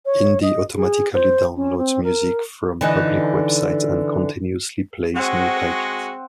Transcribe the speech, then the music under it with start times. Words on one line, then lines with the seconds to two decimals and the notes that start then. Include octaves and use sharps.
Indy automatically downloads music from public websites and continuously plays new titles.
0.06 C#5
0.42 D#5
0.76 G#4
1.13 C5
1.56 C#4
1.78 C4
2.03 A#4
2.81 D3 E3 D#4
5.16 G#3 C4 F#4 F#5